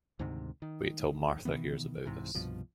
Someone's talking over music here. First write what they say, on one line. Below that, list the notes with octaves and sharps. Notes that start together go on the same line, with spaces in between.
Wait till Martha hears about this.
D2 G#2 C3 D#3
D#3
B2 D#3 E3 B3
C2 G#2 C3 E3
C2 G2 B2 F3